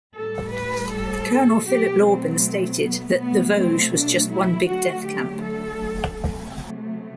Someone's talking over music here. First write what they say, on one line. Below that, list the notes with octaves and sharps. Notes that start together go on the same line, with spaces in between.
Colonel Philip Lauben stated that The Vosges was just one big death camp.
A2 G3 A4
B4
A4
B2 F#3 A3 G4
C4
B3
B2 F#3 A3 B3
C4
D4
E4
D3 F#3 A3 F#4
G4
A4
C3 F#3 A3